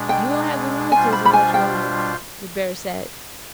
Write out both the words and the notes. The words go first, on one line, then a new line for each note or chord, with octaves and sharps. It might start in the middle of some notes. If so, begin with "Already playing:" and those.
"You won't have the rheumatism much longer," the bear said.
Already playing: B2 G#3 D4 G#4
G5
B2 G3 D4 F4 C5 G#5
B5
B5
G#5
G5